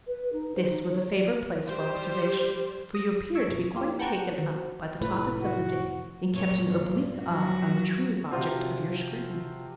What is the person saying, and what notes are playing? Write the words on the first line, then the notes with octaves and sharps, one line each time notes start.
This was a favourite place for observation, for you appeared to be quite taken up by the topics of the day, and kept an oblique eye on the true object of your scrutiny. . . .
B4
D#4
C5
D#4
C#5
D5
G3 G4 C5
D#6 A#6
C#6 E6 G#6 D7
F#2 B2
A#3 F4 G4
B4 F#5 G5 A5 A#5 C#6
D#3 C4 F#4
F1 A2 F3 B4
F#4
F#2 A#2 C#5
G2 A#2
F3 F#3 F#4
C3 F3 F4 F#4 C5